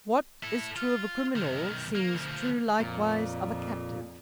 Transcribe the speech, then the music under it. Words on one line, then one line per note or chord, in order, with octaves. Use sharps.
What is true of a criminal seems true likewise of a captive.
E4 A4
F4
B1 D#3
A#3
D2 F3
F2 A#2